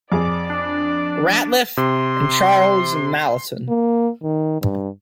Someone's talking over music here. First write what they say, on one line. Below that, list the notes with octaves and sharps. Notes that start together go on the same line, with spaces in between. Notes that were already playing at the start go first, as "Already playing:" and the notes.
Ratliff, and Charles Mallison.
F2 G#4 D5 D6
D4
C3 C6
A#3
D#3
G2